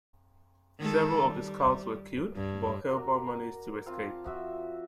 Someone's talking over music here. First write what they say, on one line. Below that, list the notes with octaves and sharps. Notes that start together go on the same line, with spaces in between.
Several of the scouts were killed, but Helmer managed to escape.
D#3 G#3 A4
G3
G2
F#4 A#4 D5
C4 F4 A5 D6
F3 F#4 E5